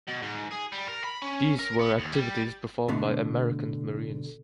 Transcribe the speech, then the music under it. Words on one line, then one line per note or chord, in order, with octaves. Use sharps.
These were activities performed by American Marines.
B2
G#2
G#4
G3
A#4
B5
C#4
A#4
B3
D#2
G3
B2 D3 A3